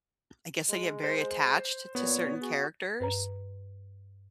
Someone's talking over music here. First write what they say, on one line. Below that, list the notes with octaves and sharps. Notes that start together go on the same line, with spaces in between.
I guess I get very attached to certain characters,
G#3
C5
A#2 B3 C#5
F#4 G#4
G2 B4 A#5